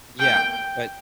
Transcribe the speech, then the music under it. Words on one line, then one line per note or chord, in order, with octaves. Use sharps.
Yeah, but
G5